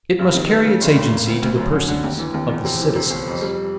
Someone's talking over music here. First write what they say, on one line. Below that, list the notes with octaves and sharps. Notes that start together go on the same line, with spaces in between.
It must carry its agency to the persons of the citizens.
G2
D#3
B3
C#3
F1
D#2
A#3
D2
D2
F#2
D3
D3
D#2
E3
D#2
E2
C3
E3
C3
G1
F2
G3